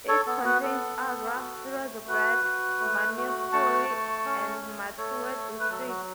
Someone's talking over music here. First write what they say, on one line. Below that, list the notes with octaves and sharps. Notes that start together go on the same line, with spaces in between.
It contains Agra, Firozabad, Mainpuri and Mathura districts.
A4 C#5
B3 A4
F#4 B4
B3 A4
B3
F#4
A3
F#4 B4
F#4
A3
F#4
A3 A5 C#6
A3
C#4
A3
A3 A4 C#5
A3
B4
F#3 A4
F#4